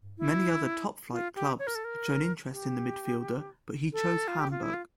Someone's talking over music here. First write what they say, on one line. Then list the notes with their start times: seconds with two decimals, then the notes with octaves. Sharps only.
Many other top-flight clubs had shown interest in the midfielder but he chose Hamburg.
0.18 E4
1.12 F4
1.35 G4
1.59 C#5
1.67 A#4
1.75 A4
1.85 A#4
2.52 G4
3.93 A4
4.28 F4
4.39 G4
4.51 F4
4.63 E4
4.74 F4